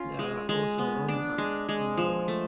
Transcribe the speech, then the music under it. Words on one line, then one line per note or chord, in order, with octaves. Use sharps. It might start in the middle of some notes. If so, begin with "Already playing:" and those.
There are also Romuvans in Norway.
Already playing: C#4 F4
G#3
G#3
B3
D4
G#3
G#3
F3
A3